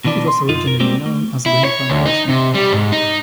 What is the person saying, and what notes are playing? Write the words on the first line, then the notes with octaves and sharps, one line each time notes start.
It was originally known as Green Plantation.
B2 D#3 E3 D4 D5
C6
B1 F#2 D#4 F4
A#4
G3 G#3 A#3 C4 F#4 G4
A3
E4
C#5
D2
D#4
C3
G3
G#2
D#4